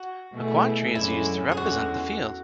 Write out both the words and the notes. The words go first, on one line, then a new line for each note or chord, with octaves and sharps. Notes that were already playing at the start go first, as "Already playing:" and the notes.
A quadtree is used to represent the field.
Already playing: F#4
B2 A3 E4 G#4
F#2 D3 G#3 C#4 E4
G#4
E2 D3 G#3 C#4 F#4